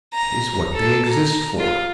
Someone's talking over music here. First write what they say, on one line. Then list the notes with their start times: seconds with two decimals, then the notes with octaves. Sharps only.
That is what they exist for.
0.13 A#5
0.73 A4
1.09 A#5
1.58 F4